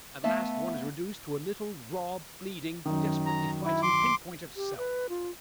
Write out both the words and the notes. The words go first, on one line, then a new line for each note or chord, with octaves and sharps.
At last one is reduced to a little, raw, bleeding, desperately fighting, pin-point of SELF....
A3 B3 E5 F5 A5
F#2 D#3
A#5
E4
C6 D6
G4
B4
F4